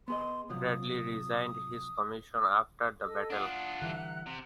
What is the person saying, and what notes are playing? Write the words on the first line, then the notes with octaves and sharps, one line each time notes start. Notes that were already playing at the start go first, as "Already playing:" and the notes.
Bradley resigned his commission after the battle.
B3 G#4 D#5 C6
C3 F3 F#3 D#6
A4 D#5 E6
D4 F4 F#5 D#6
D3 E3 G3 E5 A#5 F#6
C3